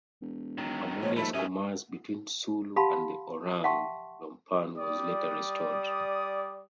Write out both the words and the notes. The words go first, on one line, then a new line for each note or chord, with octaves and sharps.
Harmonious commerce between Sulu and the Orang Dampuan was later restored.
E1
D#3 F#3 D#4
F3 G#3 C#5
D#2 A3 B5
F#2 C#4 G4 C#5 D#5 E5
G4 F5 F#5 A5 B5 C6
E5 F#5 G5 A5 C6 C#6
G3 D5 D#6